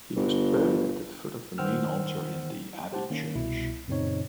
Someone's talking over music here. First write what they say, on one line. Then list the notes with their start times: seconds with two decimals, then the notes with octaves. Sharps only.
He was buried at the foot of the main altar in the abbey church.
0.16 G1
1.58 D#3 C5 F#5 G5 E6 F6
2.92 G4 C5 F#5 A5
3.10 D#3 A#3 C#4
3.35 C2 B2 E4
3.88 F#2 A#2 C#3 C4 D#4 C#5